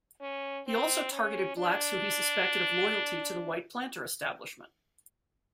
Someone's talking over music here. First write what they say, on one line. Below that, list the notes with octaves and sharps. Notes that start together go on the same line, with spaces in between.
He also targeted blacks who he suspected of loyalty to the white planter establishment.
C#4
C4
C#4
D4